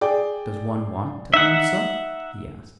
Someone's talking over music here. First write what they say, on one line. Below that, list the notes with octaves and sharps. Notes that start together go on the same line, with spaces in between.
"Does one want to own soot?" he asked.
G#4 D5 G5
D#4 E5 F#5